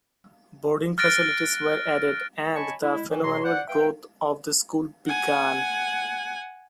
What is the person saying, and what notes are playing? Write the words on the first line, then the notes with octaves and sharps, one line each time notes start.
Boarding facilities were added, and the phenomenal growth of the school began.
F6 F#6 A6 A#6 D7
C#5 D#5 G#5 A5 B5 C#6
G#3 E4
D#3 E3
B2 G#4 C#5 A#5 C6
C5 D5 F#5
B4 E5 F5 G5
F#5 G#5